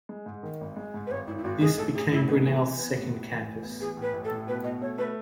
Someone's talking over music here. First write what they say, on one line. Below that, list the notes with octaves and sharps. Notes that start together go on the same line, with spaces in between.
This became Brunel's second campus.
G#3
G#2
D#3
G#1
G#3
G#2
B4
G#1 C#5
G#1 E4
E4
G#1 F#4
G#3 G#4
A1 A4
A1 G#4
A1 E4
B3 D#4
E3
B3
B3
A1
A2
E3
A1
B3
E3 G#4
A2 B4
A1
A4
A2
B2 B4
B2 D#5
A3 C#5
A3 B4